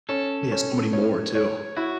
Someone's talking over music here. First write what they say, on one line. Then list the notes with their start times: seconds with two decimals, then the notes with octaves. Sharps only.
Yes, so many more too.
0.09 C#4 A4
0.52 C#4
0.93 C#5
1.35 C#5
1.77 E4 F#4